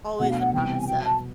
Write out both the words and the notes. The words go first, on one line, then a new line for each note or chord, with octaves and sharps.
always the promise of
B2 F#3 A3 D4 F#5
F5
F#5
C3 E3 G3 B3 G5
G#5
B2 F#3 B3 G5
A5